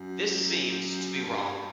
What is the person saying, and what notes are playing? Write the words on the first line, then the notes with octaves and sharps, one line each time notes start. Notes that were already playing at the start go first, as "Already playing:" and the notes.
This seems to be wrong.
Already playing: F#2
G2